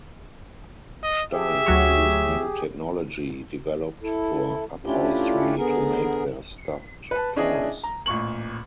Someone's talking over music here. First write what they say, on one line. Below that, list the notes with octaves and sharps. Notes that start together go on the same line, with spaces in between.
Steiff used new technology developed for upholstery to make their stuffed toys.
D#5
G4 G#4 E5
D2 F#3 C#5
E4 A4
A3 C#4 D4 E4 F4 G4
D3 B3 G#4 A#4
B4 A5
C#4 D4 E4 G#4 D#5
A#5
A1 A#2 C#6 F#7